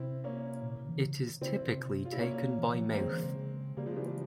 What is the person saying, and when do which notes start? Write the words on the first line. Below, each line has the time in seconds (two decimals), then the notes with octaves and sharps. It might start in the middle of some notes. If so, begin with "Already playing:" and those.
It is typically taken by mouth.
Already playing: C3 C4 E4
0.24 A#3 C#4
0.63 A#2
0.76 C3
0.85 C#3
0.89 E3
1.02 C#3
1.41 C#3 C4 E4
1.61 C#3
1.80 C3
2.05 F4
2.13 E4
2.20 A#3 C#4
2.59 E3
2.69 E3
2.72 F3
2.85 E3
2.92 A#3
2.98 E3 G#3 C4
3.06 C#3
3.11 E3
3.24 C#3
3.77 C#3 G3 A#3
3.86 F3 G#3
3.96 E3 G3
4.06 F3